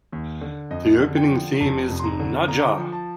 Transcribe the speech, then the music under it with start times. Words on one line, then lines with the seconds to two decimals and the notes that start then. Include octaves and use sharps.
The opening theme is Nadja!!
0.12 D#2
0.41 D3
0.70 F2 D#5
1.00 D3
1.16 G5
1.30 F3
1.60 F1 A5
1.90 F2
1.99 C6
2.04 A#5
2.20 D3
2.48 D3 A#5
2.78 F3
2.92 A5